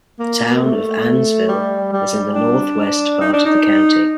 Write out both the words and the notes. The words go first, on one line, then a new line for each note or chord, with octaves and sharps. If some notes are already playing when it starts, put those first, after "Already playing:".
The Town of Annsville is in the northwest part of the county.
A#3
A#3
A3
G3
G3
D4
D#4
D4
D#4